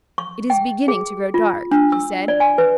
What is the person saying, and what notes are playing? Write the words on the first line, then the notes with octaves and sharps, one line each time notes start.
"It is beginning to grow dark," he said.
C#6
G5
G#4
F4
D4
E6
D5
G#5
B4